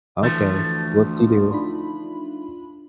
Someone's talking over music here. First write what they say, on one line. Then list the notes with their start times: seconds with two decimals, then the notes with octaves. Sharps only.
"Okay, whoop-de-doo."
0.22 D2 E3 F3 A3
1.53 D4 D#4 F4 B5